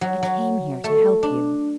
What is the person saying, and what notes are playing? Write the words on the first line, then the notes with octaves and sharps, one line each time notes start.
I came here to help you.
F#3
F#3
A3
D4